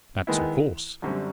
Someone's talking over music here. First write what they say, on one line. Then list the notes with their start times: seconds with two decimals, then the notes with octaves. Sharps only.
That's of course.
0.27 D#3 G#3 B3 E4
1.02 F#2 D3 G3 C4